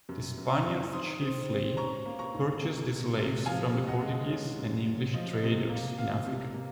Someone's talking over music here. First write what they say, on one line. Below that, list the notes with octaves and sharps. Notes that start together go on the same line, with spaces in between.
The Spaniards chiefly purchased the slaves from the Portuguese and English traders in Africa.
F#2
F#2
A#5 C#6
C4
D#3 C6 D#6
C4
C4
C#4 A#5 C#6
A#3
A#5 C#6
G#2
C3
C3
C3
F3 F5 G#5
C3
D#5 F#5
G#3
C#4
F#2
C#4
F3 D#5
C3
A#3
C3 F5
C3
A#3